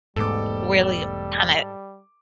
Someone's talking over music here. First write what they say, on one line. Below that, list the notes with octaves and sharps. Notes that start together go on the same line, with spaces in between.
Really kinda
E1 G#2 G3 A3 B3 A4 D6